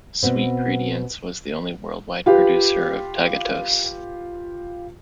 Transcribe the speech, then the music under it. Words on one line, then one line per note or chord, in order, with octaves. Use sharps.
SweetGredients was the only worldwide producer of tagatose.
B2 B3 C4
F4 G4 B4